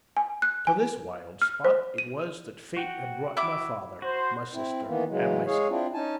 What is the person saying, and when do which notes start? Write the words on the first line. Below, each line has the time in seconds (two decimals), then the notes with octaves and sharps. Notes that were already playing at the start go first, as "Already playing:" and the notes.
To this wild spot it was that Fate had brought my father, my sister, and myself.
0.17 G#5
0.42 F#6
0.67 G#5
1.42 F6
1.65 C5
1.98 D#7
2.77 F#4 F#5 G5
3.37 E4 D6
4.02 F#4 C5
4.53 C4 E4
4.86 D#3 E3 A#3 B3
5.08 C#3 E3 F#3 G#3
5.46 G#3 G#4 C#5 F5
5.69 C4 D4 E4 F4
5.94 C#4 D#4 G#5 A5